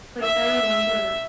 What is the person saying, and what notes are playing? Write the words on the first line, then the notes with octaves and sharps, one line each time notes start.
Like, I remember
E5